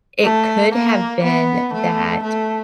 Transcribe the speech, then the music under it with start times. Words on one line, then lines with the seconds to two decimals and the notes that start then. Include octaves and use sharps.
it could have been that
0.23 A3
0.74 A#3
1.23 B3
1.73 A3
2.23 A3